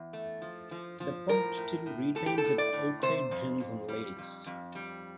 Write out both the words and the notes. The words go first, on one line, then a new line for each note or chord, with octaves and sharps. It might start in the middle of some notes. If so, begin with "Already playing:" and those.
The pub still retains its outside gents' and ladies'.
Already playing: E2
A3
F3
F3
F3
A2 A#4
A2
A2
A2 A4
G4
A4
A2
D5
A2
C3 C5
F2
F2
G3
F2
F2
G3